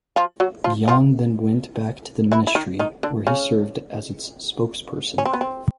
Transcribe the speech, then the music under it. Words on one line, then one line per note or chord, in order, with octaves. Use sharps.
Byeon then went back to the Ministry where he served as its spokesperson.
F3 F4
F#3 F#4
F3 F4
F3 F4
E3 E4
E4
D#3 D#4
D#3 D#4
D3 D4
C#3 C#4
C#4
C4
B3
C4